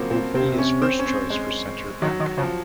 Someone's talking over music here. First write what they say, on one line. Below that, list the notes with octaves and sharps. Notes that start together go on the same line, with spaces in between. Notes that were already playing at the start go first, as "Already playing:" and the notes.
He is first choice for centre back.
Already playing: C#3 F3 F#3 A#3 C4
A#2 C4
C3 C4
C#4
C4
C#4
C4
G#3
D#3 F#3
D#3
C#3 F3